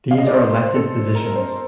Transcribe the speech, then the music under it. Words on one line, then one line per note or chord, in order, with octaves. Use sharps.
These are elected positions.
F5
D#5
D5
C5
A4
A#4
C5